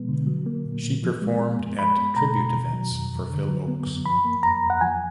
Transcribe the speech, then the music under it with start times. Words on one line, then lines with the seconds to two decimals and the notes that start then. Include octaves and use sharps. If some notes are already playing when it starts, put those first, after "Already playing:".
She performed at tribute events for Phil Ochs.
Already playing: B2 F3 G#3 B3
0.09 D3
0.27 F#3
0.46 A#3
0.65 A#2
0.84 A#2
1.03 F3
1.22 G#3
1.40 B3
1.59 F#2
1.79 G#3 B5
1.97 B3
2.16 B2 A#5
2.35 B2
2.55 D#3
2.73 F#3
2.91 F2
3.11 F2
3.30 D3
3.49 F#3
3.68 B3
3.86 F#2
4.06 F3 B5
4.25 A#3
4.43 F2 A#5
4.62 F2
4.70 F#5
4.81 F3 G#5